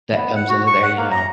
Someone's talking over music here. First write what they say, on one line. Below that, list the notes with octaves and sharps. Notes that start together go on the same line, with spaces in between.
that comes into there, you know,
B3
F#5
F#4
C#6
F#5
A#3
A#5